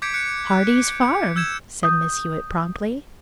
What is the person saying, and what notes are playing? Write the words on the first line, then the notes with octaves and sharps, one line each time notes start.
"Heartsease Farm," said Mrs. Hewitt promptly.
D6 G6 G#6 B6 C#7 D7
F#6 C#7
F#6
C#7
E6 G6 G#6 E7
D#6 G6